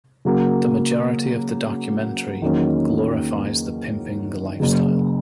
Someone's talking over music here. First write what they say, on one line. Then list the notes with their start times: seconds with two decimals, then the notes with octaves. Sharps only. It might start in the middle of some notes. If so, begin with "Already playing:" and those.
The majority of the documentary glorifies the pimping lifestyle.
0.25 C#3 F#3 A#3
2.42 E2 D#3 F#3 A#3 C#4
4.60 F#1 F#2 C#3